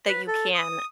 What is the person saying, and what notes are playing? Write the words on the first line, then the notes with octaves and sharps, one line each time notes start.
that you can,
B4
A4
D#6